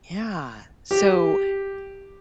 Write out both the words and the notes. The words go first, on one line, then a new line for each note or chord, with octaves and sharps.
Yeah, so,
G4